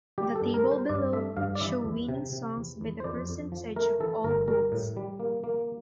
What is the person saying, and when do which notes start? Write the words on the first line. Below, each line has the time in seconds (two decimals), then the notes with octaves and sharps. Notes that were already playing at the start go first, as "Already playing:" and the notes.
The table below show winning songs by the percentage of all votes.
0.18 G3 G4
0.36 A4
0.41 G2
0.54 A#4
0.65 G3
0.71 C5
0.89 G2 D5
1.13 A3 E5
1.37 G2 F5
1.55 D5
1.61 E3 E5
1.85 E2
2.09 C3
2.33 C3
2.56 E2
2.81 E2
3.00 C5
3.04 F2 D5
3.29 F2
3.52 F3
3.76 A3 A#4
4.00 E3 A4
4.24 G1 A#4
4.48 G3 A#4
4.72 A2
4.97 G3
5.20 A#3
5.44 A#3